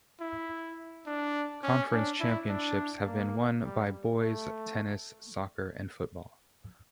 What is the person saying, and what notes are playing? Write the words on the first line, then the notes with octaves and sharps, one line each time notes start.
Conference championships have been won by boys' tennis, soccer, and football.
E4
D4
C#4
D4
E4
D4
A#3
G3
A3